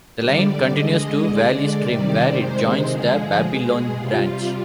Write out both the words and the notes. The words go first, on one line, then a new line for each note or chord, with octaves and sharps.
The line continues to Valley Stream where it joins the Babylon Branch.
D3 G3 D5
D3 G#3 D#5
D3 G#3 D5
C3 D#3 G3 D5
C3 D#3 G#3 C5
D3 F3 G#3 G#4
B2 G#3 G#4
C3 G3 F4